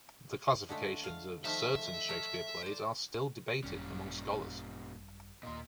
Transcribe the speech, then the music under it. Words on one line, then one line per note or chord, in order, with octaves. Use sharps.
The classifications of certain Shakespeare plays are still debated among scholars.
D3 G#3 A3
F5
D#3 F3 A3 E5
A3 A#4 C#5
C5 D5
G#1 F#2 A#2 G3 C#4
D#2 A#2 D#5 C6